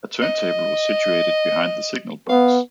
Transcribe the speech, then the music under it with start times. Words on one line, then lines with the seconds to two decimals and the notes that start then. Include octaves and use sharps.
A turntable was situated behind the signal box.
0.22 D#5
2.29 B3 F5